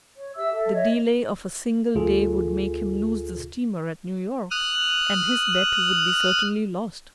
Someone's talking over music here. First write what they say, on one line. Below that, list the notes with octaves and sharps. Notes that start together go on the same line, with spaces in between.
The delay of a single day would make him lose the steamer at New York, and his bet would be certainly lost.
C#5
G4 E5 E6
A4 E5
C#5 D#5 E5
D2 F4 G#4 A4
D#6 F6 F#6